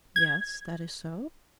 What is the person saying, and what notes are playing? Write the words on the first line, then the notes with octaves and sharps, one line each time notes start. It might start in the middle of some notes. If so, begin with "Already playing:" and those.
"Yes, that is so."
G#6